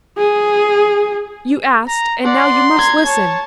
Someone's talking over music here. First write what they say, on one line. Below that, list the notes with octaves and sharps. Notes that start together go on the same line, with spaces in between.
"You asked--and now you must listen."
G#4
A#5
D5 F#5 C6
A#5 G#6
C#5 A5